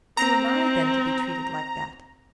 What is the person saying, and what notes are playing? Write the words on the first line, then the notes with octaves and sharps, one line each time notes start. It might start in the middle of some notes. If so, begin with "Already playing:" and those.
Who am I, then, to be treated like that?
C4 A#5